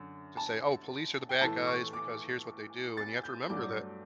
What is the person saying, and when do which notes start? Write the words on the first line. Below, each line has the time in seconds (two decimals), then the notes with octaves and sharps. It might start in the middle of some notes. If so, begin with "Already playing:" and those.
to say, "Oh, police are the bad guys because here's what they do", and you have to remember that,
Already playing: F#2 D3
0.37 A5
1.29 G5
1.41 A2 E3 A3 A5
1.67 C#6
1.93 D6
2.97 A6
3.24 G6
3.50 G2 F#3 A3 D4 D6